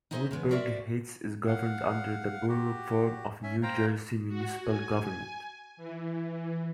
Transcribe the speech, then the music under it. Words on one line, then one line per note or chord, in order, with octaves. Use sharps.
Woodbury Heights is governed under the Borough form of New Jersey municipal government.
D#4 E4 G#4 C5 D#5 E5
C#3 E3 G#3 B3
F#4 A#4 C5 D5 E5
F5 F#5
F#4 G4
C#4 E5 G#5
C5 F5 G5 A#5
A#4
F#4
G#5
E3